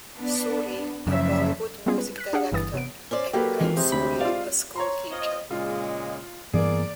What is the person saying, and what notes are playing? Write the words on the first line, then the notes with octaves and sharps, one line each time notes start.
Suri, a Bollywood music director, and Prem Suri, a schoolteacher.
B3 D4
F#2 C#3 F3 E5
G3 G#3 B3 C#4 F4 G#4
B4
F#6 B6
D4 G4 G#4 F5 F#5
G1 G2 E3 D#6 A6
C3 B3 D7
C#4 C5 D5
F#3 A#3 G4 A4 B4
G#1 E3 F4
C3 G#3
D2 B5
F4 D5 F5
C#5 A#5 C6
C4 F4 D#5
A#2 C#3 G#3 F4
G2 E3 A#3 B3 G#4 D5